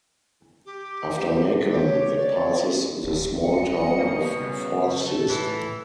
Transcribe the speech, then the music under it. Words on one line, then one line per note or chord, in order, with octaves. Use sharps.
After Macon it passes the small town of Forsyth.
G4
G4 C#5
D5
D1
G3 D#5 C#7
B2 A#3
C#3
A4
A2 E3